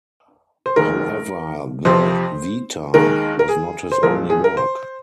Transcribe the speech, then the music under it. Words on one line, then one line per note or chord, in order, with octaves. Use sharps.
However, the "Vita" was not his only work.
C5
F1 D#2 D#3 G#3 A#4
F2 C3 F3 C5
D#2 D#3 G#3 A#4
A#4
G#4
C5
C2 A#2 F3 G#3 A#4
G#4
A#4
C5